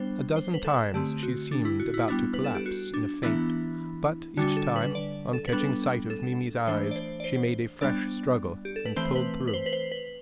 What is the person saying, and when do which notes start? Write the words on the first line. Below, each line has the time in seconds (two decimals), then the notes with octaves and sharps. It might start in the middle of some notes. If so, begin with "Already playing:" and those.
A dozen times she seemed about to collapse in a faint, but each time, on catching sight of Mimi's eyes, she made a fresh struggle and pulled through.
Already playing: G3 B3 D4 C5
0.36 C5
0.54 B4
0.64 A4
0.94 D3 A3 C4 G4
1.23 F#4
1.51 D4
1.65 E4
1.80 F#4
1.94 E4
2.08 G3 B3 D4 E4
2.34 B4
2.44 A4
2.55 G4
2.66 F#4
2.94 D4
3.23 E3 B3 D4 E4
4.37 D3 G3 D4 F#4
4.57 A4
4.76 B4
4.95 D5
5.33 A4
5.48 B4
5.53 G3 B3 D4
5.61 A4
6.10 A4
6.67 E3 A3 D4 C5
6.91 D5
6.96 C5
7.20 D5
7.24 C5
7.81 G3 B3 D4 D5
8.65 G4
8.76 A4
8.86 B4
8.96 E3 A3 C4 C5
9.15 B4
9.47 B4
9.53 C5
9.66 B4
9.73 C5
9.92 B4